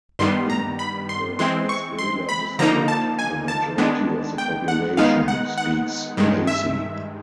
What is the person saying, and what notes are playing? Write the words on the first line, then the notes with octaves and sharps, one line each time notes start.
In the Lasbela District, the majority of the population speaks Lasi.
G2 D#3 G3 B3 C6
A#5
B5
C6
E3 G#3 C4 C6
C#6
C6
B5
D3 F3 A#3 D#4 A#5
A5
G#5
A5
D#3 G#3 B3 D4
G5
F#5
D#3 G#3 B3 D#4 F5
F#5
F#5
G2 D#3 G#3
E5